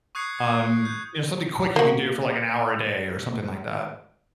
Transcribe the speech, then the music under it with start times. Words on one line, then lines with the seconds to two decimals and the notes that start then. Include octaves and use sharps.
um, you know, something quick you can do for, like, an hour a day or something like that.
0.15 C#6 D#6 F#6 G#6 C7 C#7
0.39 G#6
0.85 F#6 G6
1.76 A#3 F#4